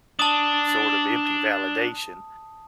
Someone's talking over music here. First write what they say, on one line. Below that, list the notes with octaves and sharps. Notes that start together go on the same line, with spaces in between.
sort of empty validation
D4 A5 D#6